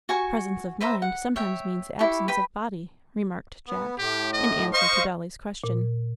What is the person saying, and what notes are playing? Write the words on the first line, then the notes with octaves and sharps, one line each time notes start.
"Presence of mind sometimes means absence of body," remarked Jack, in answer to Dolly's question.
F#4 G#5 C#6
B4 C5 E5 A#5
F#5
C#5 E5 G5
E4 G4 C#6
B4 G5 B5
B3
A2 G4
D#5
C5 D#5 F5 C#6
A#2